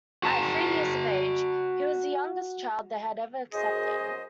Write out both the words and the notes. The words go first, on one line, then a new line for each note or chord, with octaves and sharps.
At three years of age, he was the youngest child they had ever accepted.
F#4 A5 A#5
F#2 G#4 C5 D#5